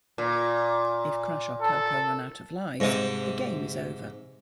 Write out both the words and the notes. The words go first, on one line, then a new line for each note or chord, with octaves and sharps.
If Crash or Coco run out of lives, the game is over.
A#2
A4
G#2 C3